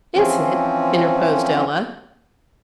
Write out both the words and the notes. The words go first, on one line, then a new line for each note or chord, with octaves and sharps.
"Is it?" interposed Ella.
E3 F3 C4 C#4